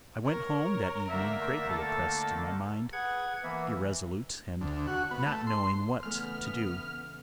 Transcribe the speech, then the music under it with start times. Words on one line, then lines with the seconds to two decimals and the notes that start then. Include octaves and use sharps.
I went home that evening greatly oppressed in my mind, irresolute, and not knowing what to do.
0.25 A#4 C#5
1.09 D3 A3 A#3 E5
1.69 A4
2.93 G#4 B4 F#5 G#6
3.43 E3 A#3 B3 E5
4.61 D2
4.87 F#4
5.11 B3
5.26 A3
5.47 C6
6.03 E2 C#3 A3 B3 F6